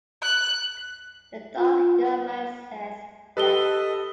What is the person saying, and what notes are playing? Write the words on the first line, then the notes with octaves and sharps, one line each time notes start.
The dark young man says 'yes'.
F#6
F4
G4 A4 B4 D#5 G7